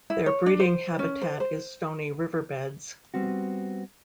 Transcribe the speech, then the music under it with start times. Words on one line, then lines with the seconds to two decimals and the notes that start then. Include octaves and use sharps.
Their breeding habitat is stony riverbeds.
0.10 E4
0.26 C#5
0.46 D4
0.60 C5
0.99 C#4
1.22 C5
1.40 C5
3.14 G3 B3 C4 F#4